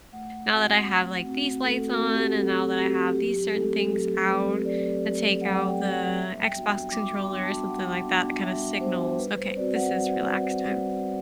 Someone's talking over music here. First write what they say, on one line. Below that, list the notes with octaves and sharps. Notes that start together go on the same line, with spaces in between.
now that I have, like, these lights on and now that I have these certain things out let's take out the Xbox controller," or something like that, that kind of signals, "Okay, this is relax time."
A3 F#5
C4 F#4
A3
C4 F#4
A3 A4
F#4
C4 F#4
G4
A3 A4
C4 F#4 G4
F#3 G4
A3 C4 A4
F#3 A4
A3 C4 B4
F#3 D5
A3 C4
F#3 F#5
G5
A3 C4
F#5
G3 E5
G5
B3 D4 F#4
G5
G3 D6
C6
B3 D4 F#4
A5
G3 F#5
B3 D4 F#4
G3 E5
B3 D4 F#4 C5
G3 B4
C5
C4 F#4 D5
F#5
G3
C4 F#4
G3